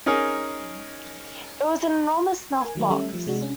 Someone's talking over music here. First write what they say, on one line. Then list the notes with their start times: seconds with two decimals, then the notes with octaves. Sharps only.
It was an enormous snuff-box.
0.06 C#4 D#4 G#4 A#4 C#5
2.61 A#4 G#5
2.75 D#3 F#3 A3 A#3
2.90 G3 A3 C#4 A4 E5
3.13 F3
3.27 C3 G#3 D4 F#4
3.42 C#4